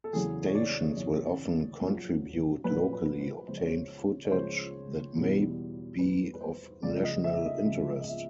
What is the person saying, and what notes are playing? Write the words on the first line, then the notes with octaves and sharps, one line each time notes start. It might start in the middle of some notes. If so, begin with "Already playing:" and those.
Stations will often contribute locally obtained footage that may be of national interest.
A4
E2 C#3 F#3 G#4
C#5
D5
E2 C#3 F#3 C#5
A#1 A#2 F#3
A#1 A#2 F#3 B4
B4
C5
C#2 C#3 F3 C5
C#5
C5
C#5
C#2 C#3 F3 C5
E2 B2 G3
E2 B2 G3 B4
B4
C5
C#2 C#3 F3 D5
D#5
E5
D#5
C#2 C#3 F3
D#5
E5